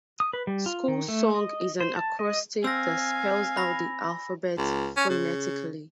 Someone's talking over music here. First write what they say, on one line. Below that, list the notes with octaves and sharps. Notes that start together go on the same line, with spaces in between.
"School Song" is an acrostic that spells out the alphabet phonetically.
D#6
B4
G3
F4
D#3
A3
D#5
C5
A5
D#5
C4 F5 G#5 E6 A#6
B5 A#6
C#2
C#4
C#3